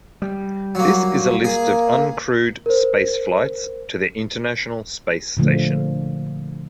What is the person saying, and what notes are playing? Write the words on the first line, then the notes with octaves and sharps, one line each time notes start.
This is a list of uncrewed spaceflights to the International Space Station.
G3
F#3 A#3
A#3 G#4
A#4 C5
A#2 D3 F3 A3